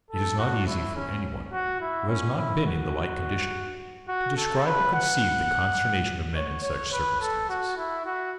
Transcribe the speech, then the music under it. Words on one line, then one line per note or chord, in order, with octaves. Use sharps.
It is not easy for any one who has not been in the like condition to describe or conceive the consternation of men in such circumstances.
A4
F#4
E4
C#4
F#4
E4
C#4
E4
F#4
F#4
A4
B4
F#5
C#5
C#5
B4
A4
F#4
E4
F#4